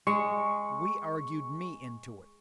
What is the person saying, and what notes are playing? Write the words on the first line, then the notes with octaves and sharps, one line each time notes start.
We argued me into it.
G#3 C#6